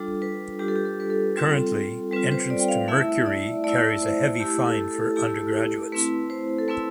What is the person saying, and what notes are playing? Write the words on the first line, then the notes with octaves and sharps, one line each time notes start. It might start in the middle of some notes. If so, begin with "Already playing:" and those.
Currently, entrance to Mercury carries a heavy fine for undergraduates.
Already playing: G3 D4 F4 A4
B4
G3 D4 F4 G4
A4
G4
A4
B4
A4
G3 C4 F4
G3 C4 F4 B4
C5
D5
G5
F5
A3 E4 E5
D5
A3 E4 D5
C5
A3 E4 G4
A4
A4
A3 E4 G4
A3 C4 E4 B4
C5
A4
A3 C4 E4 B4